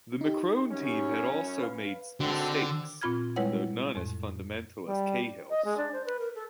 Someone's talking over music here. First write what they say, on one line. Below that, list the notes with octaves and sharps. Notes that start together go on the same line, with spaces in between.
The McCrone team had also made mistakes, though none as fundamental as Cahill's.
D#4 G4
F#2 C#4
B4 F5
G#1 D3 C4 D4 F#4 F#5
A#2 C4 F4 B5 F6 G#6
G3 G#3 E4 B4 C#5 F#5
F2 A2
G3
D#5
G#3
D4
C5
B4
A#4
A4